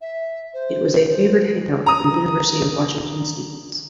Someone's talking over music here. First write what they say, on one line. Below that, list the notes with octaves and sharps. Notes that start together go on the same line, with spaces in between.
It was a favored hangout for University of Washington students.
E5
C5
C5
A#5 D#6